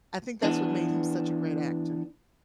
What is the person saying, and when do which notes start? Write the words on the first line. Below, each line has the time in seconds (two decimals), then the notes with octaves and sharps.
I think that's what made him such a great actor.
0.43 E3 B3 D4